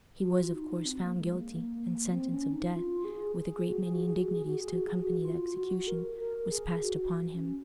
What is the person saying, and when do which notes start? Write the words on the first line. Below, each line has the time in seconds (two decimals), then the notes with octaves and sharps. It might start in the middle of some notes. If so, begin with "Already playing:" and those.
He was, of course, found guilty, and sentence of death--with a great many indignities to accompany the execution--was passed upon him.
0.22 F#4
0.38 F4
0.54 D#4
0.70 D#4
0.85 C4
1.01 A#3
1.17 G#3
1.33 A#3
2.10 C4
2.31 C#4
2.52 D#4
2.73 F4
3.05 G#4
3.36 G#4
3.68 F#4
3.80 G#4
3.94 F#4
4.08 G#4
4.21 F#4
4.33 G#4
4.46 F#4
4.61 G#4
4.73 F#4
4.87 G#4
5.00 F#4
5.24 F4
5.56 F#4
5.88 A#4
6.18 A#4
6.49 G#4
6.81 F#4
7.33 C#4